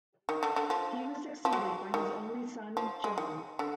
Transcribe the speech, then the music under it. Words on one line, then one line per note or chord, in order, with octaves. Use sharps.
He was succeeded by his only son, John.
D#3
D3
D3
F3
F3
F#3
D#3
F3
G#3
D#3
D3